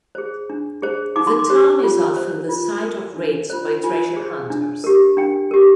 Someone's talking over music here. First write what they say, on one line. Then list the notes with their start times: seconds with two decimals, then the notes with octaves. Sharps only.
The town is often the site of raids by treasure hunters.
0.15 G#4 C5
0.50 D4
0.82 G#4 C5
1.16 D#4 D6
1.27 C6
1.39 D6
1.49 G4 C5
1.83 F4
2.16 C5
2.49 F4
2.83 A#4
3.17 D4
3.50 F4 C5
3.84 F4 G#5
4.16 G#4 C5
4.50 D4
4.84 G4 A#4
5.17 D4 G5
5.51 G4 A#4